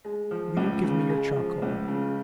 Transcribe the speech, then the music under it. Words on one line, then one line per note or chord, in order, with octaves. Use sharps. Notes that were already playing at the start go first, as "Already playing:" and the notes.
Will you give me your charcoal?'
G#3
F3
C#2
C#3
G#3
F3
C#2
C#3